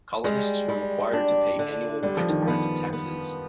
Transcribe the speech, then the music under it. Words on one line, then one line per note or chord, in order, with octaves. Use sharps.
Colonists were required to pay annual quit-rent taxes.
G3 G#3
G3
D4
D3
D3 G3
F3
D#3
F3
B3
B3